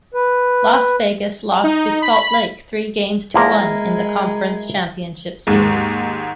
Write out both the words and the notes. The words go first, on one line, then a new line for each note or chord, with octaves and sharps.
Las Vegas lost to Salt Lake three-games-to-one in the Conference Championship Series.
B4
D#4
B5
E2 F3 G#3 A#3 E4 A#4
D#2 G#2 G#3